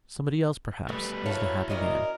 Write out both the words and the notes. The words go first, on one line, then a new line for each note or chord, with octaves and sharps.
"Somebody else, perhaps, is the happy man?"
B2 G3 A3 B4
A#3 E4 F#4 A4 C#5
C#4 A#4 D5 D#5